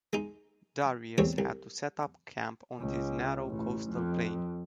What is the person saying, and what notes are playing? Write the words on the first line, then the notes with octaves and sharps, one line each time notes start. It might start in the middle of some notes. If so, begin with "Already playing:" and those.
Darius had to set up camp on this narrow coastal plain.
G#3 D#4
E2 G3 A3 C4 C#5
C2
C#2
A1
F2